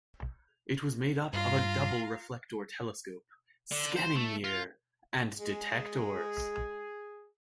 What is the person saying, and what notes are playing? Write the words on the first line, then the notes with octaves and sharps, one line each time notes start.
It was made up of a double reflector telescope, scanning mirror, and detectors.
G2 F4 F5 A#5
D3
C5
A3
F4
G#3 G#4